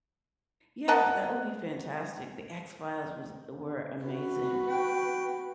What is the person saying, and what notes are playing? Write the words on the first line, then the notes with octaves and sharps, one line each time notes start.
Yeah, that would be fantastic. The X-Files was were amazing,
A#4 D#5 F#5 A5
F#4 B4
G5